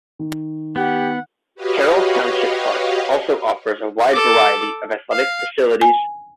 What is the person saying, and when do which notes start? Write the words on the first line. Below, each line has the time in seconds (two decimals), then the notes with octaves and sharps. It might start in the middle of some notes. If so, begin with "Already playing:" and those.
Carroll Township Park also offers a wide variety of athletic facilities.
0.19 D#3
0.76 B3 G4 F#5
1.55 F#4 G4 B4 C#5 D#5 F5
4.13 A4 D6
5.12 F5
5.81 G#5